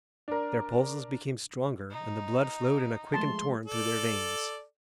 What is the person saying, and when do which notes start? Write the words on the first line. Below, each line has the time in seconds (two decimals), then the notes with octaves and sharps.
Their pulses became stronger, and the blood flowed in a quickened torrent through their veins.
0.28 D4 A#4
1.91 D#4
3.14 F3 G#3 A3 A5 C6
3.66 A4 D5